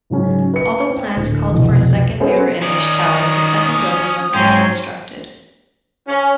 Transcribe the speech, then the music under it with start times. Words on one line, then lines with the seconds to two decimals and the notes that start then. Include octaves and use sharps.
Although plans called for a second mirror-image tower, the second building was never constructed.
0.10 G#2 C#3 F#3 C#4
0.54 B4 C#7
0.90 C4
1.16 D1
1.52 C2 F2 B2
2.20 B3 C#4 G#4 A4 C5 C#5
2.62 D#3 C#4 D5 D#6
4.34 G#2 F#3 C4 C#4 G5 C6
6.08 C#4